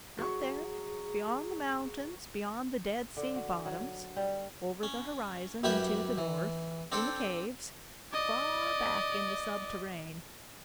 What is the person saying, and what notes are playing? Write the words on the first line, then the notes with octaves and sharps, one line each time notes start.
"Out there, beyond the mountains, beyond the dead sea bottoms, over the horizon and to the north, in the caves, far back in the subterrane."
F#3 G#4 C#6
D3
F#4
F#3
G3
C#4
F#2 G3 E4 G4 B4 E5
E3
C4 D4 A4 C5 G5
D5 D#5